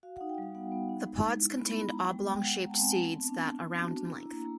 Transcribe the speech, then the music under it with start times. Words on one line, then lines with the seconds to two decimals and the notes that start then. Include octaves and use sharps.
The pods contain oblong shaped seeds that around in length.
0.03 F#4 F5
0.16 F#5
0.21 D#4
0.29 G5
0.38 G3 F5
0.55 B3 F#5
0.72 B3
0.89 D#4
1.06 G#3
1.23 G#3
1.40 E4
1.58 B3 B5
1.75 B3 B5
1.92 B3 A#5
2.09 G#3 G5
2.26 G#3 G5
2.43 G#3 F#5
2.60 G#3 A#5
2.70 A5
2.77 C4 G#5
2.88 A5
2.94 C4
3.12 B3
3.29 D4
3.46 B3
3.64 B3
3.81 F#4
3.97 D4
4.15 E4 A#5
4.32 A#3
4.40 A#5